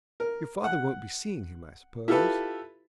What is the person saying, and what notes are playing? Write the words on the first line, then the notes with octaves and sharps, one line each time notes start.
'Your father won't be seeing him, I suppose?'
A#4
F#5
E4 F4 G4 A4 B4